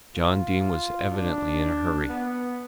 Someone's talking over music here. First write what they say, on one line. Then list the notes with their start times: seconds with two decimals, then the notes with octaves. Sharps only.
John Dene was evidently in a hurry.
0.15 F4
1.12 D4
2.09 B3